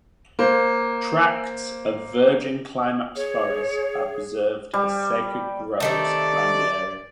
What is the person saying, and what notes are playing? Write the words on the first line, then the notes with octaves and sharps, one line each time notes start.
Tracts of virgin climax forest are preserved as sacred groves around the area.
A#3 C5
G#4 C#5
G3
C3 D#3 A3 D5